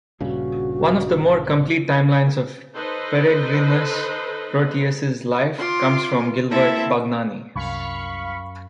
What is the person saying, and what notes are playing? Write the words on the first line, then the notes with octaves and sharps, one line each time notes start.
One of the more complete timelines of Peregrinus Proteus' life comes from Gilbert Bagnani.
A#1 G2 C#3 F#4
D#4 A4 B4 C5 D#5
F4 C6 D6
A#3 C4 E4 A4 E5
C2 F#2 F5 B5 C#6